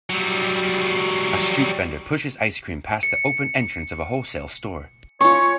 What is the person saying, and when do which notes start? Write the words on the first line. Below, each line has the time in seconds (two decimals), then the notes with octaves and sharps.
A street vendor pushes ice cream past the open entrance of a wholesale store.
0.10 F#3 G3
3.03 C#7
5.21 C#4 F4 C#5 C#6